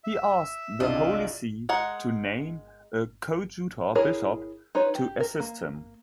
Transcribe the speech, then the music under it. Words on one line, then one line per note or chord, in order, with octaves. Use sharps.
He asked the Holy See to name a coadjutor bishop to assist him.
E5
C2 D4 F4 G#4 D5 D#5
G#3 A#4 F#5
E4 G#4 A#4 C#5 A#5
D#4 F4 B4 C#5
G4
A#4
A#3